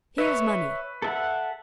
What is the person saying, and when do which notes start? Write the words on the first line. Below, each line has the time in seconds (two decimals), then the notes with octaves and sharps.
Here is money.
0.18 B4 C#5 E5
1.02 A4 E5 F#5